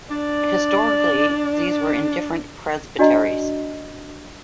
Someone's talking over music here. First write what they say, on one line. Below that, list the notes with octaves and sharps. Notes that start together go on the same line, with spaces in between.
Historically these were in different presbyteries.
D4 D5
D4 F#4 D5 D#5 A#5